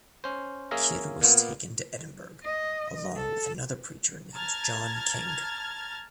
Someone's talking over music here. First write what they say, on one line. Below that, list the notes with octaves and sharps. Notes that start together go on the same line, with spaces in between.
Kid was taken to Edinburgh along with another preacher named John King.
C#4 C5
A#3 C#4 G#4 E5 F5 A#5
A#2 A#3 B3
D#5
A4
A5 A#5 F6 G#6 A6